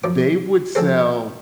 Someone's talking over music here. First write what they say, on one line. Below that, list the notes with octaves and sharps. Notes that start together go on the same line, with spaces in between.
they would sell
F#2 F3 D6
F3 C4 G#4 A4 C5